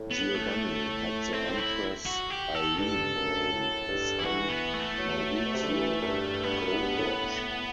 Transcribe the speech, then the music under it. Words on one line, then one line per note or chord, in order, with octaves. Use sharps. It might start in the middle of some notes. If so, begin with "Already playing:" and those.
Giovanni had the Empress Irene name his son Maurizio co-doge.
Already playing: A2
B3
A3
C4
E4
F#4
G4
A4
G2 A4
F#2
A2
G2
E4
E3 F#4
B3
A3
F#3
B2
C3
D3
E3
F#2
G2
G2 B3
F#2
G2
A2